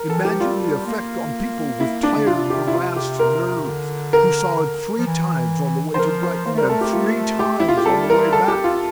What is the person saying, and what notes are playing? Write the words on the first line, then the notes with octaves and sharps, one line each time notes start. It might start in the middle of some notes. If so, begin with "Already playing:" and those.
Imagine the effect on people with tired, harassed nerves who saw it three times on the way to Brighton and three times on the way back.
Already playing: A#4
E3 A4
F3 G4
G3 F4
A#3
E4
D4
D3
C3 F4
G4
E4
F4
G4
A#4
C3
D3
A#4
F3
E3
E3 C5
F3 A#4
C5
A#3 C5
A3
A#4
G3
A3 A4
G4
F4
G4
E4
F4
G4
G3 A4
A#4
A4
G4
F4